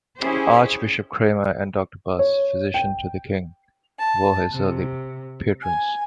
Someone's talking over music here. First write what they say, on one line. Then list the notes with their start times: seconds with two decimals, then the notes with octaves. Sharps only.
Archbishop Cranmer and Doctor Butts, physician to the king, were his early patrons.
0.19 C#4 E4 G4 G#4 C5
2.19 C#5
2.74 G5
3.99 A5
4.52 C3
5.63 G#5